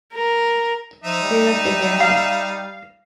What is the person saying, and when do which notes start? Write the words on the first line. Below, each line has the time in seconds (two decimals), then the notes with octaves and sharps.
They lifted their head.
0.14 A#4
1.04 F3 D#4 E5
1.23 G3
2.00 F5